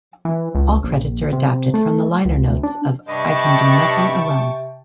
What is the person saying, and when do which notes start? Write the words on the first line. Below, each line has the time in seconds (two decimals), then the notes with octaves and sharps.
All credits are adapted from the liner notes of "I Can Do Nothing Alone".
0.25 E3
0.55 C#2
0.84 A#1
1.33 C3
1.74 A3
2.25 C#2
2.47 D2
2.63 D4
3.08 G2 C3 D4 D#5 G5 A5 B5 C#6